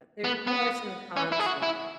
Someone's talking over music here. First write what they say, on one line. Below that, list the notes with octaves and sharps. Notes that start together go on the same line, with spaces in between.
there there are some cons there.
B3
B3
C#4
E4
G#4
F#4
E4